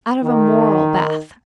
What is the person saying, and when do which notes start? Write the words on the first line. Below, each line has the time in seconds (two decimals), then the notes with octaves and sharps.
Out of a moral bath.
0.24 D#3